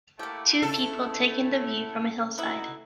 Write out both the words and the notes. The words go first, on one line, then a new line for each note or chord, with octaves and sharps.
Two people take in the view from a hillside.
A3 A#3 E4 G4 F#5
C#3 A4
B3 D#4 E4 F#4